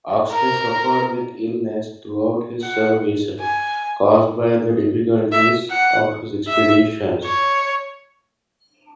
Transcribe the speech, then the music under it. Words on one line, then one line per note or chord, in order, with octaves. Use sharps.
Oxley suffered with illness throughout his service, caused by the difficulties of his expeditions.
A#4
F#5
G#5
E5
F#5
E5
C#5